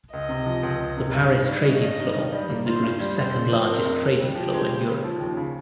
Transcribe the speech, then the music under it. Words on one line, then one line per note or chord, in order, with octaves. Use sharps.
The Paris trading floor is the Group's second largest trading floor in Europe.
C#2 D#5
C3
F3
C#2
C#2
C3
G2 F5
D#3
G3
C#4 D#5
G2
D#3
G2
G3
A#3
F4 C5
G2
G3
F2 C5
C#3
F3
C4 A#4
F2
C#3
C#3 G4
F3
G#3
C#3
C#3
F3
D#2
C#3